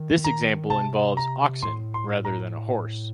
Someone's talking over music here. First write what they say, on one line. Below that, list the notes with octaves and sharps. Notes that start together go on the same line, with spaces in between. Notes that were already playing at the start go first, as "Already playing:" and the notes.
This example involves oxen rather than a horse.
Already playing: D#3
A#5
C3 A5
A#5
A2 C6
C6
A#5